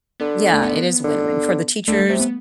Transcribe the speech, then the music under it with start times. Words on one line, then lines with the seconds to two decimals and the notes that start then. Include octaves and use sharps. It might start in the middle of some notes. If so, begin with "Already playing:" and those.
Yeah, it is win-win, for the teachers,
0.20 D3 B3
0.53 A3
0.63 B3
1.04 D3
1.88 D3 A3
1.99 G3
2.08 C3 A3
2.20 B3